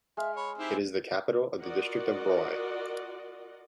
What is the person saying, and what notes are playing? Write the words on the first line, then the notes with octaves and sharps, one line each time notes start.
It is the capital of the district of Broye.
G#3 E5 F5
C#5 B5
C4 D#4 E4 G4
F4 F#4 A#4 D5 D#5 F#5